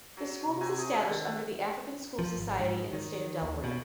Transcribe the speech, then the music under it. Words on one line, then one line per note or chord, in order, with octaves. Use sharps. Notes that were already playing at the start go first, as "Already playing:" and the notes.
The school was established under the African School Society in the state of Delaware.
F#3
C3
C4 F#4 G#5
G#4
D3 D#3 A4 F#5
F3
G#1
G#2
D#3
D#2
B2